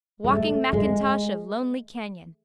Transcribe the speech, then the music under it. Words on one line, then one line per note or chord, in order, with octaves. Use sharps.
Walking Mackintosh of lonely canyon.
G#3
A3
G#3